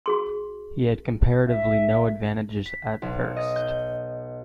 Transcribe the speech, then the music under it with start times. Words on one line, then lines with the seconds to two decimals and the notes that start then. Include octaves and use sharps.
He had comparatively no advantages at first.
0.06 F#4 G#4 C6
1.48 E5
2.66 B6
3.02 B1
3.36 D#5
3.56 G6